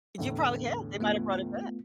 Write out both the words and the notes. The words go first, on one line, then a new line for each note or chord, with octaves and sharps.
You probably have. They might have brought it back.
E2 A2 D3
A3 B3 F4